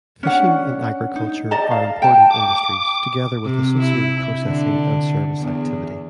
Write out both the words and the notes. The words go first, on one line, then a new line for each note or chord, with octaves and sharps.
Fishing and agriculture are important industries, together with associated processing and service activity.
C#4 D4 F#5
D#4
D5 D#5 A5 A#5
F5
G5 A5
D6
C3
E4
D3
E2